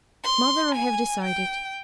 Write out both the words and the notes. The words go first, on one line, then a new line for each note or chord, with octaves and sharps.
Mother, I have decided!
C6
G#5
G5